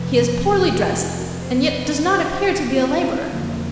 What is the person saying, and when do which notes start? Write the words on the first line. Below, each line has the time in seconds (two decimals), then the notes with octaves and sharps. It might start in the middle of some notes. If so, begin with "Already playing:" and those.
He is poorly dressed, and yet does not appear to be a labourer.
Already playing: F2 C3 F3 B4
0.78 B4
0.99 B4
1.20 A#4
1.42 C5
1.63 B4
1.84 B4
2.05 C5
2.26 C5
2.75 F4
3.04 E4
3.32 F2 D3 F#3 A#3